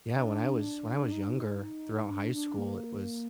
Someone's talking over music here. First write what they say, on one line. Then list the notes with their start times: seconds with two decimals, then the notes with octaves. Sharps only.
yeah, when I was when I was younger, throughout high school, it was,
0.09 D#4
0.16 D4
1.12 D#4
1.22 D4
1.32 D#4
2.10 D4
2.34 D4
2.58 A#3